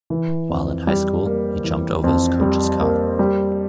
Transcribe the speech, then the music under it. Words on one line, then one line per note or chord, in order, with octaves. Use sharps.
While in high school, he jumped over his coach's car.
E3
F2
G3
A#3
E3
F2
G3
A#3
G3